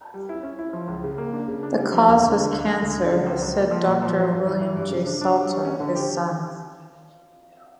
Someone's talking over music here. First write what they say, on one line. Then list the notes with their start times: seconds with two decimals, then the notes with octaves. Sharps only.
The cause was cancer, said Doctor William J. Salter, his son.
0.14 G3
0.29 E4
0.43 C#4
0.59 E4
0.73 F3
0.88 C#2
1.04 C#3
1.18 A#3
1.33 D4
1.48 C#3
1.63 D4
1.78 G3
1.92 F3
2.08 E2
2.23 D3
2.38 D3
2.53 D2
2.67 D2
2.81 D3
2.98 D3
3.12 C#3
3.27 C#2
3.42 C#2
3.57 A#3
3.71 F3
3.87 A#2
4.01 F3
4.17 F3
4.31 G2
4.46 E3
4.61 E3
4.76 G2
4.90 C#3
5.06 D4
5.21 D4
5.35 G3
5.50 G3
5.65 C#4
5.80 D3
5.95 G4